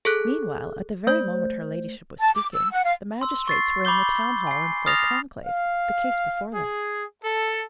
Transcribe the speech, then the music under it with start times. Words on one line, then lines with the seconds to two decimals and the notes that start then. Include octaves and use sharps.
Meanwhile, at the very moment her ladyship was speaking, the magistrates were in the town-hall in full conclave--the case before them.
0.05 G#4 A4 F#6
1.07 A3 C5 G6
2.19 A5
2.34 D6
2.53 E6
2.72 F#5
2.84 F5
3.21 C6 E6
3.48 C#6 A6 C7
3.85 B5 D6 G6 G7
4.47 G#5 C7
4.86 D#6 F6 A6 A#6 C7 F7
4.99 C7
5.45 F5
6.54 G#4
7.24 A4